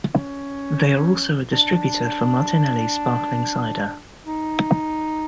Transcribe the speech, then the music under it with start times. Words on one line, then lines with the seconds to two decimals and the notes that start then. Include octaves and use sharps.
They are also a distributor for Martinelli's Sparkling Cider.
0.15 C#4
1.52 D4
4.27 D#4